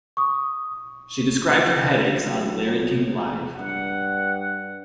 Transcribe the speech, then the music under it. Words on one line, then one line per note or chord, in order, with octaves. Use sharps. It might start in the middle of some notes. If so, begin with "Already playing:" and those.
She described her headaches on "Larry King Live".
C#6 D#6
F#3
G2 F#5